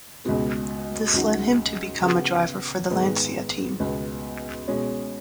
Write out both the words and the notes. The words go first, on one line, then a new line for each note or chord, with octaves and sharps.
This led him to become a driver for the Lancia team.
C#2 B2 G#3
C#2 C#3 F#3 D#4 F#4
C#3 B3 F#4
G#2 D#3 G#3 B3 D#4
C#2 B2 B3
B2 G#3 C#4